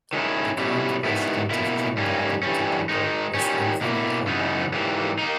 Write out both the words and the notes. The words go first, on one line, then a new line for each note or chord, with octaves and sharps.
The current President of Trinidad and Tobago is Anthony Carmona.
D#3 G#3 C#4 E4
B2 G3 C#4 E4
G#2 D#3 G3 B3 E4
B2 A#3 E4
G#2 G3 A#3 C#4
G2 E3 G3 C#4
D#3 G#3 D#4
D#3 G3 C#4
B2 A#3 E4
C#3 E3 G#3 B3 D#4
G#2 E3 G3 A#3
D#3 A#3 D#4